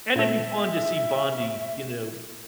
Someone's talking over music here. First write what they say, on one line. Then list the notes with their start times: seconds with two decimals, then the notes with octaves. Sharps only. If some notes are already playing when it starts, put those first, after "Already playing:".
And it'd be fun to see Bondi, you know,
0.16 A#2 A3 E5